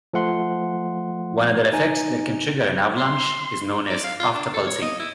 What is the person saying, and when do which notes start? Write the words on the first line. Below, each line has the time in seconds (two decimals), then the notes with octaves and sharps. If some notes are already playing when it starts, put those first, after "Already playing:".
One other effect that can trigger an avalanche is known as afterpulsing.
0.13 F3 A3 F#5 C6
1.73 D#4 G#5
2.96 C6
3.90 D5
4.04 F5
4.20 F4
4.34 D4
4.53 A4
4.66 C#5
4.82 D#5
4.99 E4